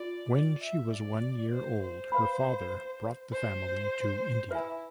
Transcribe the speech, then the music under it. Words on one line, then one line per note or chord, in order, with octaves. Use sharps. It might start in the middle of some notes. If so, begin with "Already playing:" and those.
When she was one year old, her father brought the family to India.
Already playing: F4 D5
D5
E5
D5
C5
C5
B4 F5 B5
C5
E4 B4 E5 G#5